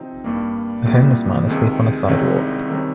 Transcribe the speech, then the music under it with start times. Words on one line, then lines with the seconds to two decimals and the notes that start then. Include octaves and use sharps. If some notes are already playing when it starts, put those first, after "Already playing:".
A homeless man asleep on a sidewalk.
Already playing: C3 F3 C4 D#4
0.24 G2 G3 A#3
0.85 C2 A#2 G3
1.47 C#2 C3 D#3 G#3
2.07 C2 C3 D#3 G#3 C#4
2.69 C3 D#3 G3 C#4